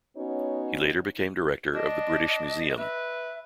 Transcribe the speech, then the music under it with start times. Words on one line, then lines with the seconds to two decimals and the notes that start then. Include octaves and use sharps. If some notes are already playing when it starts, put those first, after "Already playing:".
He later became Director of the British Museum.
0.17 B3 C#4 D#4 F#4 C#5
1.74 D4 D#5
2.78 B4 E5